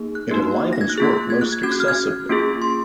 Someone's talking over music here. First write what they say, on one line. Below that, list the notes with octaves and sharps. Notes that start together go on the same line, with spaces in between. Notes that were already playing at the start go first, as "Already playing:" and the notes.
It enlivens work most excessively.
Already playing: A#3 D#4 G#4
F#6
A#3 D#4 F#4
A#6
G#6
F#6
A#3 F4 G#4
G#6
F#6
G#6
C#4 F#4 G#6
F#6
F6
G#6
A#3 C#4 F4 G#4
C6